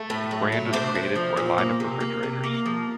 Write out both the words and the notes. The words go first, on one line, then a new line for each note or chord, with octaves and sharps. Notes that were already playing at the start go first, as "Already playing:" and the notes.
The brand was created for a line of refrigerators.
Already playing: A3
A2
F#3
A3
D4 C5
D4
F3
A#2
A#3
C3
A#3
C3
A#3
F3